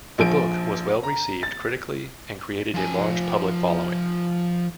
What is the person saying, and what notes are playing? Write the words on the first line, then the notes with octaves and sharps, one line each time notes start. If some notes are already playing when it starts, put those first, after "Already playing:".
The book was well received critically and created a large public following.
A#1 F3 D7
A#5
A6
F3 G#5